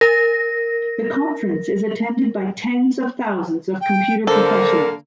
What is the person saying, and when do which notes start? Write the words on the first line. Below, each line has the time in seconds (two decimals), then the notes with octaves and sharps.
The conference is attended by tens of thousands of computer professionals.
0.01 A#4 A#6
3.81 G5
4.27 D3 A#3 A4 A#4 C5